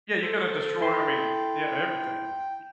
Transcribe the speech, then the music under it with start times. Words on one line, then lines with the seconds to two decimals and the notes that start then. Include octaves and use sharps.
Yeah, you're gonna destroy, I mean, yeah, everything. Y
0.22 A4 C5
0.81 E4 G5 C6